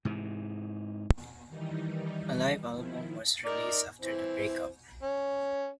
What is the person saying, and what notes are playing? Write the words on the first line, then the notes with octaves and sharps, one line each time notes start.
A live album was released after the breakup.
G#2 C3 E3
D#3 E3 G3 D#4
D#3 F3 E4
D#4 A#4 D5
E3 C4
C#4